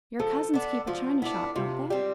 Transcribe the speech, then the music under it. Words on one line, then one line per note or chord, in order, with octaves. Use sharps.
Your cousins keep a china-shop, don't they?
F3 A4
B3 D4
F3 F4
B3 D4 E4
C3 F4
G3 C4 G4